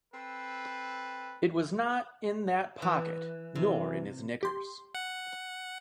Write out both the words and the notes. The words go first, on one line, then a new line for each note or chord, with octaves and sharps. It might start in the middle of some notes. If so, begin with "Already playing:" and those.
It was not in that pocket, nor in his knickers.
C4 A4 B4
E3
C3 E3
G4 C6
F#5